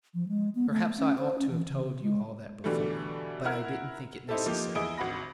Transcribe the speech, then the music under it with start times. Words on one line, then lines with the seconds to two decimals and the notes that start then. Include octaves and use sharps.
Perhaps I ought to have told you all that before, but--I didn't think it necessary.
0.14 F3
0.29 G#3
0.55 B3
0.69 A3
0.98 C#4
1.18 C5
1.38 C#4
1.51 E3
1.68 C#3
2.02 G#3
2.64 B2 D3 E3 G3 A3
3.45 E4 A#4 F#5 F6 G#6
4.29 C4 D#4 E4 G4 A4
4.46 F3 A#3 D#4 G4
4.75 E2 E4 G#4 D#5 D#6 D7
4.98 G#1 D2 F#4 B5 A#6